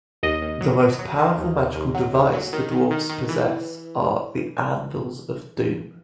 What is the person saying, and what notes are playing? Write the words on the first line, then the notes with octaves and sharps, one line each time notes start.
The most powerful magical device the Dwarfs possess are the Anvils of Doom.
D#2 D#5
D#2
F#3
F#3
F#3
D#3
D#2
D#2
D#2
F#3
D#2
F#3
D#3
D#3
D#3
D#3
E3